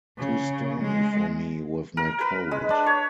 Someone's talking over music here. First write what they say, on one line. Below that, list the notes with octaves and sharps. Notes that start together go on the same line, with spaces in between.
Too stormy for me with my cold.
C#3
G#3
A#4
B4
G#3
D4
C#5